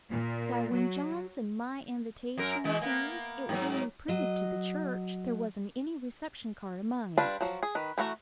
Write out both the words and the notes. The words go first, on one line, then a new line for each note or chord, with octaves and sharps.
Why, when John's and my invitation came it was only printed to the church--there wasn't any reception card among it.
A#2
F#3
F#2 A#4
B2 E3 G#3
A#3 B3
G#2 F#3
F#3 D#5
G3 D4 F4 B4 A5
F3 F#3
G#4
D#3 B4
E3 A3 F#4 A#5